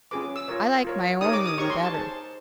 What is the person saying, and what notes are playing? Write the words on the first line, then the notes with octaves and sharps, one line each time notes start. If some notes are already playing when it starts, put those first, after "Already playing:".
I like my own room better.
C#4 F4 G#4 B4 D6
E6
F4 A#4 C#5
F4 A#4 C#5
D#4 G4 A#4 C#5 D#6
D6
D#6
D#4 G4 A#4 C#5 C#6
C6
A5
D#4 G#4 C5 A5